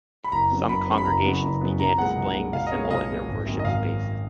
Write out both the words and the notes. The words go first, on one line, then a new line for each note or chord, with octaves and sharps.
Some congregations began displaying the symbol in their worship spaces.
B5
F#1 A#5
F#2 C#3 F#3 B3
F#1 B5
F#2 C#3 F#3 B3 B5
B5
F#1 A#5
F#2 C#3 F#3 B3
F#1
F#2 C#3 F#3 B3
B1 A#5
A#2 G#3 B3 F#5
B1
A#2 G#3 B3
B1 F5
D#5
A#2 G#3 B3 C#5
F5
B1 D#5
A#2 G#3 B3
G#1
F#2 D#3 A#3
D#5
G#1 F5